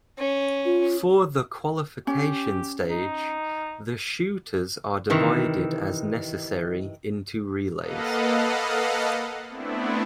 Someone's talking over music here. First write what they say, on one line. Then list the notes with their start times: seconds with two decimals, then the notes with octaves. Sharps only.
For the qualification stage, the shooters are divided as necessary into relays.
0.18 C#4
0.65 F4
2.07 C#4 G4
2.90 D#4
5.10 C3 D#3 E3
7.80 A#3 A4 B4 D#5 F5 F#5
9.49 A3 B3 C4 D4 E4